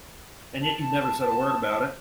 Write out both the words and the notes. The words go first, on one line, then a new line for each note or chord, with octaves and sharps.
And yet you never said a word about it!
A5